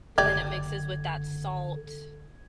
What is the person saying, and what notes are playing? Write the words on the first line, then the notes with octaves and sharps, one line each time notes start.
And then it mixes with that salt.
F#1 D3 G4 D5 G#6